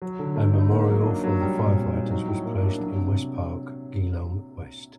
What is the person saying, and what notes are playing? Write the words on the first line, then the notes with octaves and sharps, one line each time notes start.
A memorial for the firefighters was placed in West Park, Geelong West.
F#3
D3
A3
D#4
A#3
F#3
D4
F#3
G3
A#2
C4
D#4
F#3
A2
A#3
D4
F#3
C3